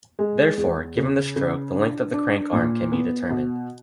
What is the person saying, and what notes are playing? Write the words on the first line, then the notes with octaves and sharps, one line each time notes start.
Therefore, given the stroke, the length of the crank arm can be determined.
G#3
E2
C#3
C#3
D4
D4
A#2
B3
B2